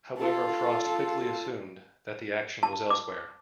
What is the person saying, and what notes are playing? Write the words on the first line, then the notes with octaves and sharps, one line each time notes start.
However Frost quickly assumed that the action was elsewhere.
F4 A4
A5
D6